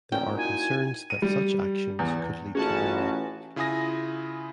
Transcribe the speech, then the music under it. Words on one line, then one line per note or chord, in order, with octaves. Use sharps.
There are concerns that such actions could lead to war.
A#2 C#4 G5
D#4 E4 F#4 G#5
D#7
G3
E2
A1 C#4 F4 F#4 G#4 A5
C#3 E4 F4 G#5 D#6 A#6